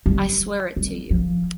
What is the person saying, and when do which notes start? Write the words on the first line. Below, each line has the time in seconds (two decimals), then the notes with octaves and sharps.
I swear it to you.
0.06 G3
0.76 G3
1.10 F3